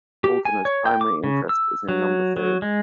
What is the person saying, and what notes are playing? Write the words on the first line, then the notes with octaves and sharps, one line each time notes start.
Holdener's primary interest is in number theory.
G4
G#5
C#5
G5
D6
C#3
E6
F#3
F#3
G#3